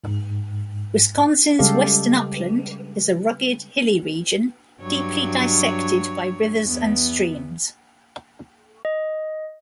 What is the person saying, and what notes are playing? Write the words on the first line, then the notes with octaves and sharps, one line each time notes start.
Wisconsin's Western Upland is a rugged, hilly region deeply dissected by rivers and streams.
G#2
C#3 G3 G#3 G4 A4 F5
G2 F#3 C#5
E2 B3
D#5